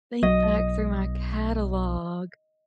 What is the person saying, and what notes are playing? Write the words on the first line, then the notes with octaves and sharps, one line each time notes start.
think back through my catalog.
B1 F#3 D#5